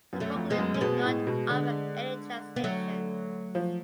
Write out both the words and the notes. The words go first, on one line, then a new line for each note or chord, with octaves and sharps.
The booklet did not offer any translations.
F#2
F#3 A3
F2
G#3 B3
F#2
C#4
B2 G#3 B3
A2
B2
D3
B3
F#3 A3
F3